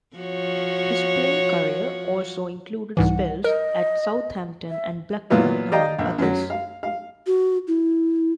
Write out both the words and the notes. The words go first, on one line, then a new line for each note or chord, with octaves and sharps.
His playing career also included spells at Southampton and Blackburn, among others.
F3 F#4 C#5
C2 G#2 E3 F#5
A#4 D#5
E5
A#2 E3 F#3 B3 F4
D5 D#5 F5 G5 A#5
A#1
F#2 F#3
F5
F5
F#4
E4